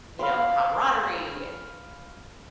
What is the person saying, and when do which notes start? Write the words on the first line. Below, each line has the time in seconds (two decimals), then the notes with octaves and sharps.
you know, camaraderie and
0.19 F5 B5 C6